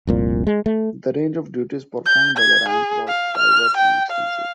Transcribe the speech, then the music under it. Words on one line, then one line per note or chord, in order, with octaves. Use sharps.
The range of duties performed by the rank was diverse and extensive.
F1 C2 A#2
G#3
A3
G6
G#6
G#4
F5
F6
G5
F5